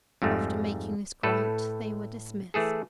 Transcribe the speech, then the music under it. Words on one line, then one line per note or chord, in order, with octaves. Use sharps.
After making this grant, they were dismissed.
F2 G#2 G3 A3
A2 A3 A4 B4
E3 A3 G#4 A4